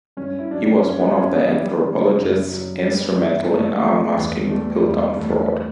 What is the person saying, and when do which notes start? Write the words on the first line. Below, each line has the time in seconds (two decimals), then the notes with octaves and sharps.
He was one of the anthropologists instrumental in unmasking the Piltdown fraud.
0.17 G2 C#4
0.39 E4
0.50 F#3 D4
0.83 G2 C#4
1.00 B3
1.17 F#3 C#4
1.33 B3
1.50 F#3 G3
1.84 C#3
2.17 F#2
2.50 F#3
2.84 G3
3.17 G2
3.50 G2 A3
3.83 G3 A3
4.17 E2 B3
4.49 G3 A3
4.82 E2 G3
5.16 E2 A3